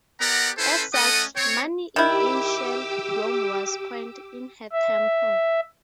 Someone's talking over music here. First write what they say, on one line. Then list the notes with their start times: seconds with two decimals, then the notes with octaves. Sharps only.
As such, money in ancient Rome was coined in her temple.
0.20 B3 G4 A#4 D5 F#5 A#5
0.57 C#4 E4 A4 B4 C5
0.93 A3 C#4 A4 D#5 F#5 D#6
1.36 C4 C#5
1.96 D#3 E4 G4 D6 E6
4.73 E5